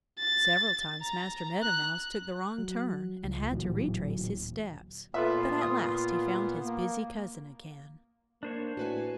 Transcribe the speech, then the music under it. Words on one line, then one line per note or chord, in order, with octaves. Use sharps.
Several times Master Meadow Mouse took the wrong turn and had to retrace his steps. But at last he found his busy cousin again.
A6
A#5
F#6
F#3
C#2
D1 A#2 E3 F#3
A#2 B3 F4 A4 B4 E5
D#6
A#3
A#3 D4 C5 C#5
A2 F#4 B4 G#5